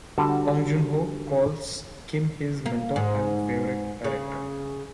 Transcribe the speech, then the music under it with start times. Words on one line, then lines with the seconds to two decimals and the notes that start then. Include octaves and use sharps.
Bong Joon-ho calls Kim his mentor and favorite director.
0.18 D3 G3 F#4 A5
2.66 A#3
2.96 G#2
4.04 C#3